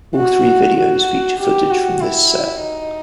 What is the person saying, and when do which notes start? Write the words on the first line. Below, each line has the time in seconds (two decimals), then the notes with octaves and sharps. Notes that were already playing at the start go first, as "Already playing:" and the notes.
All three videos feature footage from this set.
0.16 F#4
0.78 F#4
1.40 G4
1.70 F#4
2.01 E4
2.63 D#4